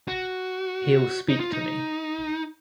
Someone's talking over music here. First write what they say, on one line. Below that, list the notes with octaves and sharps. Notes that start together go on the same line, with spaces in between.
He’ll speak to me.
F#4
D#4
F4
D#4